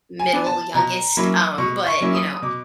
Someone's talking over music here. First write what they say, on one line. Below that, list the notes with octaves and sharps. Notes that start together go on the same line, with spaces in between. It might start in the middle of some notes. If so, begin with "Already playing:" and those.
middle youngest, um, but, you know,
G#5
B3 D4
A5
B2 A#5
F#3 A#3 C#4 E4 B5
B2 C#6
C#6
F#3 A#3 C#4 E4
D#6
B2 D6